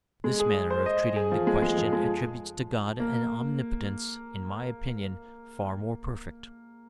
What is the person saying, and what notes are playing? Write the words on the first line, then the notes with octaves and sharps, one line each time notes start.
This manner of treating the question attributes to God an omnipotence, in my opinion, far more perfect.
G#3
G#4
C5
D#5
G#4
F3
G#3
G#3
F3
G#3
A#3